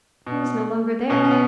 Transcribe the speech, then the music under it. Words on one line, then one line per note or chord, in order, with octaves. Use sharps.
He was no longer there.
B2
B2 C#4
C#4
B3